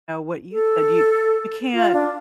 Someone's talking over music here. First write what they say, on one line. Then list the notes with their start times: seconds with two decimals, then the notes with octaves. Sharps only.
Know what you do you you can't
0.52 A4
1.74 F4
1.93 D4